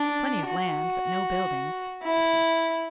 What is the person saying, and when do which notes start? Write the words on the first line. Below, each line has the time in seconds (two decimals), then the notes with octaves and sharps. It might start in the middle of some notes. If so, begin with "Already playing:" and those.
"Plenty of land, but no buildings," said he.
Already playing: D4
0.46 F#4
2.03 E4